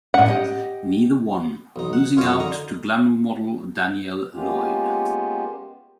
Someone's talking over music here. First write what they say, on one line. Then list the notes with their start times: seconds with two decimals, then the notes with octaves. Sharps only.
Neither won, losing out to glamour model Danielle Lloyd.
0.14 A2 C#4 F#5
0.28 G4 D#5
1.76 B1 D#4
1.93 F#5
2.17 F#2 G#3 C#4 F4 C#5
2.39 D3 D#4 A#5
4.33 G#3 A#3 B3 C#4 F4 G4